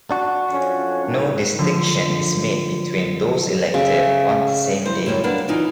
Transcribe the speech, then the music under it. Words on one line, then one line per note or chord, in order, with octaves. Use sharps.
No distinction is made between those elected on the same day.
D4 F#4
F2 C#4
C#2 D#3 G3
D3 F3
C#3 E5
E3 C5
F#2 G3 A#3 E4
A#3 D4 B4 F5 F#5
E3 D#4 F4 D5